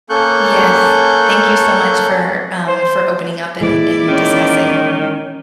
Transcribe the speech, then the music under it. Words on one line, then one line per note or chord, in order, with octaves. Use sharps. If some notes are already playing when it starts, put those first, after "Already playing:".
Yes. Thank you so much for, um for opening up and and discussing.
A#3 C#4 A4 C#6 F#6 G6
C5
A#2 E3 G#3 E4 D5
D#3 C#4